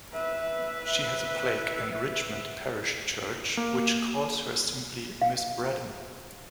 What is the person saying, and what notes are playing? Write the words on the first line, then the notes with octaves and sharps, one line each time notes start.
She has a plaque in Richmond parish church which calls her simply 'Miss Braddon'.
B4 E5
A#3
F5